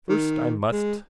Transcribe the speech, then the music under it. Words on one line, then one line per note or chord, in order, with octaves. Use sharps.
First I must.
D#3
G#3